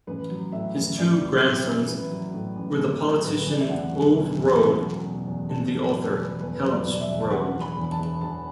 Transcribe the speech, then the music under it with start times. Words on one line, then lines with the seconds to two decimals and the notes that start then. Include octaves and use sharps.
His two grandsons were the politician Ove Rode and the author Helge Rode.
0.07 A1 B4
0.30 F#3
0.52 A2 E5
0.75 A1
0.98 A1 D5
1.21 F#3
1.43 A2
1.65 A1
1.88 A1 B4
2.10 F#3
2.34 A2
2.56 A1
2.79 A1 A4
3.02 F#3
3.24 A2 B4
3.46 A1
3.51 D5
3.60 E5
3.69 E2 F#5
3.91 F#3
4.15 B2
4.37 E2
4.60 E2
4.82 F#3
5.04 B2
5.28 E2
5.50 E2 A5
5.73 F#3
5.80 A4
5.95 B2
6.11 B4
6.18 E2
6.41 E2 B4
6.63 F#3 B4
6.71 D5
6.86 B2 D5
7.01 E5
7.08 E2
7.21 A5
7.31 E1 F#5
7.54 E3
7.61 B5
7.77 E2
7.92 A5
7.99 E1
8.21 E1 A5